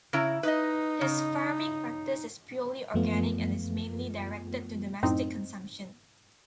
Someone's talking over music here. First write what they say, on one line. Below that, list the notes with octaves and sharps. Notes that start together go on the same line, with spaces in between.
His farming practice is purely organic and is mainly directed to domestic consumption.
C#3 E4 A#5
D#4 B4 D#5
C#3
F#2 F3 A3 B3 F4
F#2 A2 C4 D#4